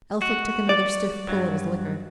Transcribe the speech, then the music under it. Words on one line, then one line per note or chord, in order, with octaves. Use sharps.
Elphick took another stiff pull at his liquor.
F#4
D5
G2 F#3